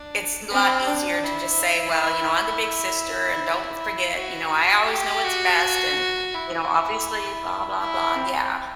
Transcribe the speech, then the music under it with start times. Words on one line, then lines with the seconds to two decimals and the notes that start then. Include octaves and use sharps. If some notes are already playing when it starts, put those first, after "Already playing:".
it's n a lot easier to just say, "Well, you know, I'm the big sister and don't w forget, you know, I always know what's best and, you know, obviously blah blah blah," yeah.
Already playing: D4
0.51 C4
0.87 D4
1.24 E4
4.15 F#4
4.87 G4
5.24 F#4
6.34 E4
7.80 E4
8.16 C4